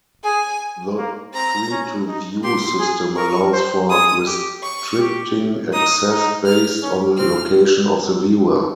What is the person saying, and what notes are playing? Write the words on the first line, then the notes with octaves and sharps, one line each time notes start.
The free-to-view system allows for restricting access based on location of the viewer.
G#4 G#5
A#3
C4 A#5
C#4
D#4
G4 C6
G#4
A#4 C#6
C5
G#4 D#6
G4
C#6
G4
D#4 D#6
D#4
F6
C#4
C4 F6